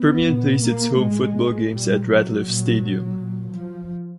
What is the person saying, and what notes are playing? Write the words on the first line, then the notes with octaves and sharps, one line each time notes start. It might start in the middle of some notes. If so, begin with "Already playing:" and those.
Permian plays its home football games at Ratliff Stadium.
Already playing: B3
A#2
A#3
A2 G#3
A#2 G3
F#3
A#2
A#2
F3